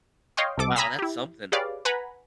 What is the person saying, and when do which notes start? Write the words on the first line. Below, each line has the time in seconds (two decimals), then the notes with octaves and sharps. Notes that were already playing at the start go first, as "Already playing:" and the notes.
Wow, that's something.
0.37 C#5 D#5 F5 G5 C6
0.58 C2 C3 A4 D6
0.76 G#5 A#5 B5 D#6 E6 B6
0.99 E4 G4
1.52 G4 G#4 B4 C#5 D5 F5
1.85 B4 F#5 G#5 A#5 B5